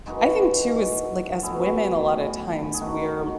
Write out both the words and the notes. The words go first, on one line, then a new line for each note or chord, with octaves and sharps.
I think too as like, as women, a lot of times we're
F#2 E3 G#3 D#4 F#4
A2 F#3 B3 E4 G#4
G#4
D#3 A3 C#4 D#4 F#4